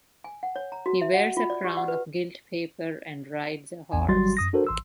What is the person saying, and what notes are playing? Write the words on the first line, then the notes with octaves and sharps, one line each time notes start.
He wears a crown of gilt paper and rides a horse.
G#5
F#5
C#5
A#5
F#4
E5
F#5
F4
D5
G4
F#5
B4
A1 E2 G#5
G#1 F#3 G3 F#4 C6 A6
F#2 D#6 A#6
D4 F#4 A4 A#4 C5
A1 C6 E6